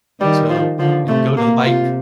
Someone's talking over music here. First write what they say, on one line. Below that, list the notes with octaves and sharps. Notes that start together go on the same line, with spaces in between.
So, you know, go to the bike
D#3 G3
F3
D3 F3
C3 A3
A#2 A#3
C3 F4